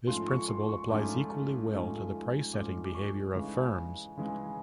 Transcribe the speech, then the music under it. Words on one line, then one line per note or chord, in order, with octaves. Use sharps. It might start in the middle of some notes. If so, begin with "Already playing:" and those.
This principle applies equally well to the price-setting behavior of firms.
G#2 F3 A3 C#4 F4 C6
C#6
C6
C#6
G#2 F3 A3 C#4 F4 D6
G#2 F3 A3 C#4 F4
G#2 F3 A3 C#4 F4 D6
D6
C#6
C#3 E3 G#3
C#3 E3 G#3